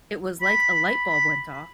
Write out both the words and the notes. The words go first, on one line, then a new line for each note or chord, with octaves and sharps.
It was like a light bulb went off.
B5